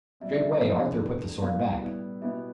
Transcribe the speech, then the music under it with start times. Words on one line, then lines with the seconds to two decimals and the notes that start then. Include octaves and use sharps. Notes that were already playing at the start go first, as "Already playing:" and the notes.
Straightway Arthur put the sword back.
0.20 B2 G3 C4 E5
0.31 D5
0.41 E5
0.61 F2 E3 B3 D4
1.01 D3 A3 E4 G4
1.41 C2 B2 G3 B3 F5
1.82 A2 G3 B3 E4
2.22 B2 B3 E4 G4 E5